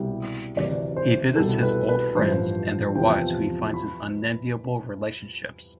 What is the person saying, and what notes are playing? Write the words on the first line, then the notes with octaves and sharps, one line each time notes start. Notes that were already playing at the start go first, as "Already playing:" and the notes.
He visits his old friends and their wives who he finds in unenviable relationships.
Already playing: C2 B2 G3
D2 C3 E3 D5
C5
C2 B2 G3 A4
B4
B4
A1 G2 F3 C5
E2 C3 F3 G5
B5